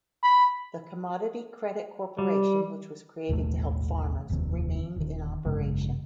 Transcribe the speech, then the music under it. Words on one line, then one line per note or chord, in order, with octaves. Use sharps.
The Commodity Credit Corporation, which was created to help farmers, remained in operation.
B5
G3
A1 D#2 B2 A3
F1 D#2 D#3 C4
D#1 D#3
G#1 F#2 C#3 G#3